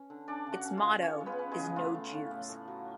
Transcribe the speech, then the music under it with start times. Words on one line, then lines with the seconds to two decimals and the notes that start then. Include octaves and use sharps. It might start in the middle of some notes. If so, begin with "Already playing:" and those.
Its motto is No Jews.
Already playing: C#4
0.10 D3
0.28 C#4 D4 D5
0.46 C#3
0.52 F#4 F#5
0.65 C#4
0.77 F4 F5
0.83 C#3
1.02 C#3 C#4 C#5
1.20 G#3
1.26 B3 B4
1.39 C#4
1.51 G#3 G#4
1.57 C#3
1.76 A2 F4
1.95 A2
2.13 A2
2.31 A2
2.49 A2
2.68 F#3